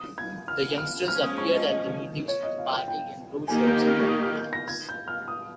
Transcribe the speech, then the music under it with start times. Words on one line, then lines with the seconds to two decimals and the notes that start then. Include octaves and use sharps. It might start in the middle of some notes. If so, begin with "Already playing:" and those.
The youngsters appeared at meetings of the party in blue shirts and red ties.
Already playing: D#6
0.18 G#6
0.48 F6
0.78 F6
1.08 F3 G#3 C#4 F6
1.23 D#6
1.38 C#6
1.53 D#5
1.68 D#5
2.28 C#5
2.43 D#5
2.58 F5
2.73 G5
2.88 G5
3.48 D#3 A#3 D#4 G4 G#5
3.67 G6
3.88 F6
3.99 C#6
4.08 D#6
4.23 F6
4.38 G6
4.53 A#6
4.68 G#6
4.89 G6
5.08 F6
5.28 D#6